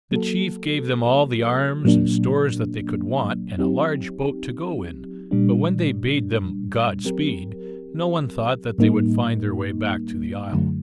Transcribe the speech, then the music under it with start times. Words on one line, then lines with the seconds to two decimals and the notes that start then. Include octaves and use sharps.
The chief gave them all the arms and stores that they could want, and a large boat to go in, but when they bade them "God speed," no one thought that they would find their way back to the isle.
0.11 F#3 A#3 F#4 A4
1.85 A#2 F#3 A#3 D4
3.58 F#3 C4 D#4 G4
5.31 A#2 G3 D4
7.05 F#3 C4 G4 A#4
8.78 A2 G3 A#3 D#4
10.52 F#2 D3 F#3 A3